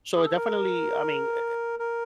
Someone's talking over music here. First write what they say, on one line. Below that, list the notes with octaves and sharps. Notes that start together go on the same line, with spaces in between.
So I definitely, I mean e e
G#4
A4
A#4
A#4